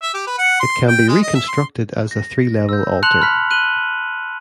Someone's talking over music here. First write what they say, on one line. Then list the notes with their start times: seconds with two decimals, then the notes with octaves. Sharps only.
It can be reconstructed as a three-level altar.
0.03 E5
0.14 G4
0.27 B4
0.38 F#5
0.60 C6
0.88 G5
1.09 G#3
1.22 D#5
1.35 E5
1.48 C6
2.11 A#6
2.69 E6 G6
3.03 A5 C6 F#6 C#7 F7 F#7
3.21 B5 F6 F#6 B6
3.51 F#6 D#7 F#7 G7